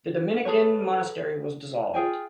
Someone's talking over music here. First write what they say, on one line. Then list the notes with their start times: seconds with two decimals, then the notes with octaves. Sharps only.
The Dominican monastery was dissolved.
0.45 G#4 A4 B4 C#5
1.94 F4 G#4 G5 G#5